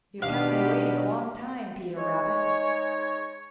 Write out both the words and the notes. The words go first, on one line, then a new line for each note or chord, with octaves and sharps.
You've kept me waiting a long time, Peter Rabbit.
B2 D#3 B3 D4 G4 F5
G#3 D#4 C#5